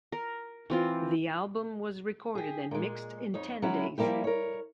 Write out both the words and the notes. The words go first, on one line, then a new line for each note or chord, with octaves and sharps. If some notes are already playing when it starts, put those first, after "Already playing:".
The album was recorded and mixed in ten days.
A#4
E3 C4 F4
G4 G#4
A#2 G#3
F2 D#4 C#5
F#3 G#3 C#4 E4
F3 G3 A#3 E4 G4
A#4 C#5